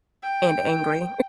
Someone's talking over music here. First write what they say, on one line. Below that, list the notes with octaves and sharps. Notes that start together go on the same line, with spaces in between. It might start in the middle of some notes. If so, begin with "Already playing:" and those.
And angry.
G5